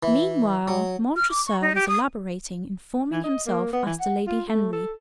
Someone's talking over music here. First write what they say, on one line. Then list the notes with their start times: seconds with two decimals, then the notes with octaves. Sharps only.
Meanwhile, Montresor was elaborately informing himself as to Lady Henry.
0.03 E3
0.68 F#3
1.16 F6
1.31 D6
1.47 C#6
1.62 D#4
1.75 G4
1.88 D#6
3.12 E3
3.24 D#5
3.46 A#3
3.73 B3
3.86 E3
4.00 F#5
4.27 F4
4.48 A3
4.73 A4